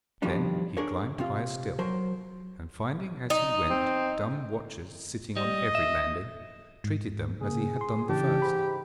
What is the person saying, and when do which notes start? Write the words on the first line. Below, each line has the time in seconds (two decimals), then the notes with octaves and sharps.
Then he climbed higher still, and finding as he went dumb watchers sitting on every landing, treated them as he had done the first.
0.22 F2 B2 D#3 F3 G3 D4
0.77 D4 G#4 A#4 C#5
1.19 C3 C4 F4
1.79 F#3 A#4 C5
3.30 D#4
3.70 C4
5.37 G3 D#5
5.75 E5
6.84 G#2
7.41 C#3 A#3 G#4
7.81 C6
8.09 C#3 E3 D4 G4 A5
8.42 G#2 B5